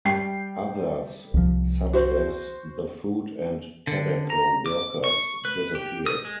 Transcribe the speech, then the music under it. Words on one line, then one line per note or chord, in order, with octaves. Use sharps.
Others, such as the Food and Tobacco Workers, disappeared.
G3 G5 C7
C2 F3
F#4 C5
D3
A#5
D6
C#6
B4
G4
D#6
G#3